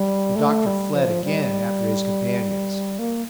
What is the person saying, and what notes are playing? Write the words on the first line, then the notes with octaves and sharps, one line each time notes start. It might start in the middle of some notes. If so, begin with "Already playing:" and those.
The doctor fled again after his companions.
Already playing: G3
A3
G3
F3
G3
A#3